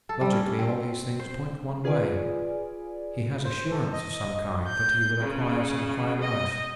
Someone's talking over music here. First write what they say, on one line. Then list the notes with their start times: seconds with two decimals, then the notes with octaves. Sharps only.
Logically all these things point one way! he has assurance of some kind that he will acquire some higher life.
0.09 A4
0.21 G3
0.32 C#4
0.59 C4
1.19 C5
1.84 F4 G#4 B4 D5 G#5
3.44 C5
3.71 A4
3.93 D#5
4.67 G6
5.19 C#3
6.21 D#5